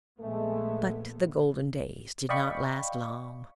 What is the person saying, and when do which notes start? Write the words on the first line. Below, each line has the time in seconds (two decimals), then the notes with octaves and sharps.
But the golden days did not last long.
0.20 A#1 G#3 A3 B3
2.29 D5 D#5 F5 G5 B5 C#6